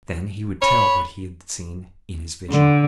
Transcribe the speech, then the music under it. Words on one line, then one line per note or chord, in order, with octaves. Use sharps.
Then he would tell what he had seen in his vision.
C#5 B5
D3